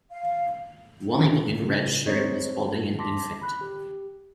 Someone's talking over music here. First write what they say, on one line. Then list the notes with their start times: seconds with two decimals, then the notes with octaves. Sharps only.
Woman in red shirt is holding an infant.
0.10 F5
1.62 C#3
2.06 C4 D#4 C5 C#5 D#5
2.99 A5 C6 D6 A#6 B6
3.42 B5 F#6
3.61 G4